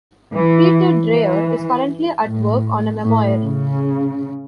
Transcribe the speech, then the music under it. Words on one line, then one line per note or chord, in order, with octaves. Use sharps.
Peter Dreyer is currently at work on a memoir.
E3
E3
A2
A2
C#3